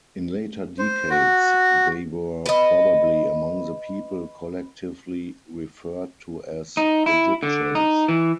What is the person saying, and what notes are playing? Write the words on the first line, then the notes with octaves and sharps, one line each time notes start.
In later decades, they were probably among the people collectively referred to as "Egyptians".
C5
F#4
B4 D#5
D#4
E4
D3
D#4
E3